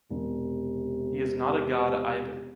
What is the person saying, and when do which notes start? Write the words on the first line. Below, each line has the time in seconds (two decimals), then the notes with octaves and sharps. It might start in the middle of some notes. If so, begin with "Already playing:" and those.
He is not a God either.
0.10 E1 C3